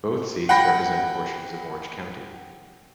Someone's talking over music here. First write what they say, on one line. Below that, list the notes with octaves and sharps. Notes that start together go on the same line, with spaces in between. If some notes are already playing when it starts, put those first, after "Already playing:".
Both seats represent portions of Orange County.
F#5 G5 B5 A#6